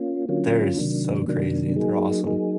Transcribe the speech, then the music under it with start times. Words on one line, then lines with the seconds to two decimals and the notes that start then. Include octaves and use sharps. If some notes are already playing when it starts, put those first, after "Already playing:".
They're so crazy, they're awesome.
Already playing: A#3 C#4 F4
0.29 D3 F#3 A#3 C#4 F4
0.78 C3 D#3 F#3 A#3 D4
1.27 C3 D#3 F#3 A#3 D4
1.76 F#3 A#3 D#4 G#4
2.26 F#3 A#3 D#4 G#4